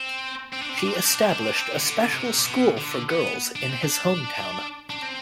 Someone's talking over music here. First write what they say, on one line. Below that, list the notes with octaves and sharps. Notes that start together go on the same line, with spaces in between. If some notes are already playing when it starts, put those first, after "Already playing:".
She established a special school for girls in his hometown.
Already playing: C4
C4
D4
C4
D4
C4
D4
C4
D4
C4
D4
C4
D4
C4
C3
D3
C3
B2
D3
B3
D4
C4
D4
D4
C4